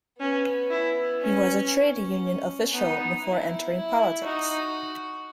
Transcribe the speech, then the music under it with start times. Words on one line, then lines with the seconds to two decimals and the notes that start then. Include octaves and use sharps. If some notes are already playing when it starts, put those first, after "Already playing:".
He was a trade union official before entering politics.
0.20 B3 C#4
0.71 E4
1.21 C#4
1.71 C#4
2.72 B3 D#4
3.23 E4
3.73 E4
4.23 D#4 F#4